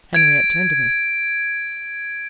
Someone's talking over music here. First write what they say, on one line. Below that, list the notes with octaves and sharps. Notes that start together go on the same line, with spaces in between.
Henriette turned to me.
G#6 D7